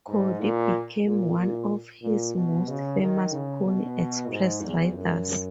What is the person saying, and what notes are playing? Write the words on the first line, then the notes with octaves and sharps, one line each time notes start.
Cody became one of his most famous Pony Express riders.
G#2
A#2
A#2
A#2
A#2
B2
C#3
D#3
C#3
B2
G#2
E2
F#2